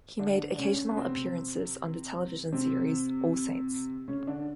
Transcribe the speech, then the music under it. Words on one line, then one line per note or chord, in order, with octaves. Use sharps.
He made occasional appearances on the television series "All Saints".
D3 D4
D4
C#3 C#4
B3
C3 C4
C3 C4
C#3 C#4
D3 D4